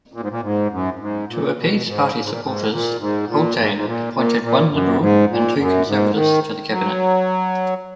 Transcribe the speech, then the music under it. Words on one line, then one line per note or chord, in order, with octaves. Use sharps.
To appease party supporters, Haultain appointed one Liberal and two Conservatives to the cabinet.
A#2
G#2
A#2
G#2
F#2
F#2
G#2
A#2
B2
G#2
A#2
G#2
A#2
G#2
A#2
G#2
A#2
G#2
G#2
A#2
A#2
A#2
F#2
G#2
A#2
F#2
G#2
D#3
F#3